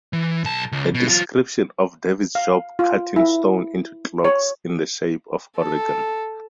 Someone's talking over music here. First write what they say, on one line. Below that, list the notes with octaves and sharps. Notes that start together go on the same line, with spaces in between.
A description of David's job cutting stone into clocks in the shape of Oregon.
E3
B1 A5
C#2
B2
F#3 F4
F5
F4
E4
C#5
A4